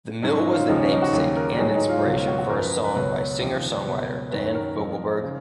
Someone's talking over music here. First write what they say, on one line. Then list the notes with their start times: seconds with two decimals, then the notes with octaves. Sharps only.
The mill was the namesake and inspiration for a song by singer-songwriter Dan Fogelberg.
0.22 G#2 F#3 C#4
0.37 D#4
0.53 F4
0.68 D#2 C#3 F3 D#4
0.79 C#4
0.91 D#4
1.02 F#4
1.13 D#2 C#3 F#3
1.36 A#4
1.58 G#2 F#3 G#4
1.75 D#4
1.89 F4
2.04 C#2 B2 F#3 F4
2.16 F4
2.27 F#4
2.38 F#4
2.49 F#2 F3 A#4
2.61 B4
2.72 B4
2.84 B4
2.95 C#2 B2 F#3 B4
3.40 D#2 C#3 F3
3.85 C#2 B2 F#3
4.31 F#2 D#3 F#3 B4
4.55 A#4
4.77 F2 F3
5.24 C#3